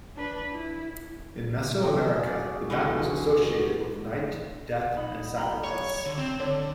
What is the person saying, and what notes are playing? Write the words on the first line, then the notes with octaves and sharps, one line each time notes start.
In Mesoamerica the bat was associated with night, death, and sacrifice.
D4 B4
E4
G#4 A4 D#5 G5
F#4 D5
C#2 B2 D3 E3
D#4 F#5 B5
G4 A#5 B5
C#5
D3
C4
D3 D4 A4 C#5